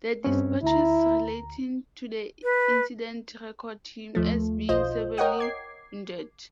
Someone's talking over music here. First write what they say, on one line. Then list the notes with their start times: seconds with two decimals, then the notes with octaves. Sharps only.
The despatches relating to the incident record him as being severely wounded.
0.24 G2 C4 C#4
0.63 D2 E4 A#5
2.43 B4
4.15 D#2 F3 A3
4.69 B1 F4 C5 D#5 G6
5.17 A#4 C#5 D#5 F#5 G5 D#6
5.39 D6 G#6 C7